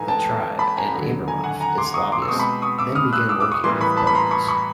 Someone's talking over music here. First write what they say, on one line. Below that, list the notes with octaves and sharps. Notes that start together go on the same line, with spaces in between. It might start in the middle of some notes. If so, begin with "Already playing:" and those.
The tribe, and Abramoff, its lobbyist, then began working with Burns.
Already playing: G#2 E3 A3 G#5 A#5
G5 A5
A5 B5
G#5 A#5
D#2 D3 F#3
G#5 A#5
F#5 G#5
G#5 A#5
C6 D6
C#6 D#6
C6 D6
E6
B2 G#3 C4 C#6 D#6
B5 C#6
C#6 D#6
D6 E6
D#6 F6
E6 F#6
D6 E6
D6 E6
C#6 D#6
A2 E3 G3 A#3 C6 D6
B5 C#6
A5 B5
B5
A#5 C6
B5 C#6
B5 C#6